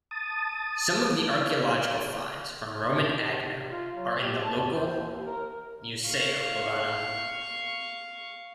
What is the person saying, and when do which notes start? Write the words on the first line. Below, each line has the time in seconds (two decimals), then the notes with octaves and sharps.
Some of the archaeological finds from Roman Agno are in the local Museo plebano.
0.11 A5 D#6
2.82 B2
3.16 C3
3.45 C3
3.68 F4
3.94 F#3
4.20 G4
4.41 A5
4.58 E2
4.74 C5
4.94 D#2
5.27 A#4
6.06 F5 C#6